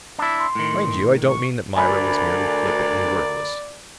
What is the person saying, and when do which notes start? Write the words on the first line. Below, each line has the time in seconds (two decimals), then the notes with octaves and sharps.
Mind you, I don't mean that Myra was merely flippant and worthless.
0.18 D4 E4 E6
0.39 C6
0.55 A2 D#3
1.27 C#6
1.76 D2 A#4 D5 G#5 B5